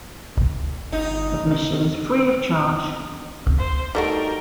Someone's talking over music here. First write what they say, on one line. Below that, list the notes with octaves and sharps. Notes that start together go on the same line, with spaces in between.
Admission is free of charge.
G1 D#4
C5
G3 A3 D#4 F#4 A4 A#4 D5 G5